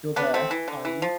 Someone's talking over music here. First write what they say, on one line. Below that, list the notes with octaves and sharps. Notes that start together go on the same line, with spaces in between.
You're there, are you?
B3 D4
A3 C4
E3
D3
E3
F3